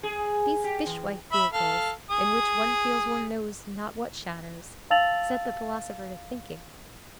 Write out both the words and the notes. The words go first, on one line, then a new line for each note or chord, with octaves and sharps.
These fishwife vehicles, in which one feels one knows not what shadows, set the philosopher to thinking.
G#4
G4
E3
E5 B5
A4 F5
G#4 D#6
F5 A5 E6 A6 F7 F#7